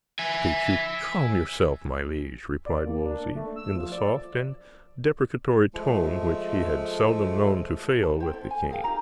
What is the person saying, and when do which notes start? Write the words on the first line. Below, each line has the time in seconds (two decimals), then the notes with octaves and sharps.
"Beseech you calm yourself, my liege," replied Wolsey, in the soft and deprecatory tone which he had seldom known to fail with the king.
0.19 E5 G#5
2.66 D5
2.85 A#3
3.05 D4
3.35 A3
3.56 E6
3.76 F3
3.92 D5
5.75 F3 G#3 A3
8.03 B4 A5
8.20 C5 G5
8.33 E4 A4 C5
8.51 G#5
8.70 G#4 A#4 F5 G5
8.84 D#4 F4 G4 A#5